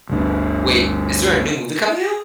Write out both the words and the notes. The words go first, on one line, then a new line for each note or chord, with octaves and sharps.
Wait. Is there a new movie coming out?
G1 D2 D4